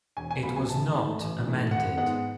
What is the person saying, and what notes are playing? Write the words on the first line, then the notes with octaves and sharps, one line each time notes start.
It was not amended.
E1 G#5
G#5
D2 C#3 F#3 B3 B5
G#5
A1 A5
G#2 E3 A3
A1
G#2 E3 A3
G#1 F#5
G#2 G#3 B3 F#5